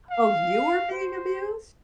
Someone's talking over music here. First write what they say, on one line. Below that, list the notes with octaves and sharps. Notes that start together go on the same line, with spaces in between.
Oh, you were being abused?
F5
C5